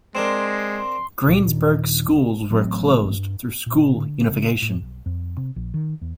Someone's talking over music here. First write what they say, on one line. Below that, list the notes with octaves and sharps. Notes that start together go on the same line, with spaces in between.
Greensburg schools were closed through school unification.
G#3 C4 D4 A#4 C6
C#2 A#2
D#1 D#3 D4
A1 A2 F#3 C4
G2
A#2
D3
C#3
A2
B1
F2
C3
A#1
D#3
E2